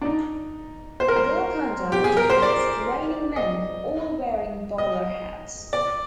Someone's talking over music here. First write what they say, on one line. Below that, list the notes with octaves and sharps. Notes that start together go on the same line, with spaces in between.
"Golconda" depicts "raining men" all wearing bowler hats.
D4
D#4
C5
A#4
C5
G4
G#4
A#4
C5
D5
D#5
D#5
D5